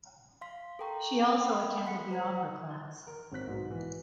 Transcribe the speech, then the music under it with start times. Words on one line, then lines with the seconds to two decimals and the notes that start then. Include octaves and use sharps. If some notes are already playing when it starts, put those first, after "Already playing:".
She also attended the opera class.
0.41 F5 C6 B6
0.79 A4 A#4 G5 A#5 C#6
1.41 G5 B5 C6
1.85 F#5 B6 C#7
2.11 C5 A#5 G#6
3.07 A#4
3.32 G#1 C4 C5 F#6 B6
3.47 B1 G#2 B2
3.70 E3